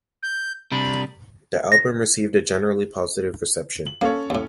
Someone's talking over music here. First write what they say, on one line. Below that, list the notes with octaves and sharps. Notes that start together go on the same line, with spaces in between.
The album received a generally positive reception.
G6
C3 G3 D4 B5
A#6
F#7
A#3 C#4 A4 C#5
D#2 A2